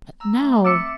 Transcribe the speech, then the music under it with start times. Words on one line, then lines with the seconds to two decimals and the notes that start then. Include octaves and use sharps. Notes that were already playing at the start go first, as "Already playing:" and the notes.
But now!
0.20 A#5 E6
0.37 A3 A#5 C6
0.65 C4 E5 D6 E6 A6 C#7